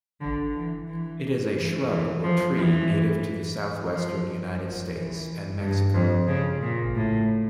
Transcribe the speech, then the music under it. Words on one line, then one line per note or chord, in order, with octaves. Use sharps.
It is a shrub or tree native to the southwestern United States and Mexico.
D3
E3
E3
E3
E3
F3
E3
F3
F3
E3
G2
F2
C#3
A#2
A2